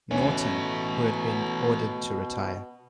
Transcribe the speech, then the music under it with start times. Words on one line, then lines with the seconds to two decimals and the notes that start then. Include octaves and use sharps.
Norton, who had been ordered to retire.
0.11 B2 E3 A3 C#4